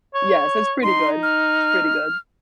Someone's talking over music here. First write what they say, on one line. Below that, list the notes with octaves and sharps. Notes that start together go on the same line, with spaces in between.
Yes, so, it's pretty good. It's pretty good.
C#5
D#4 C6
F6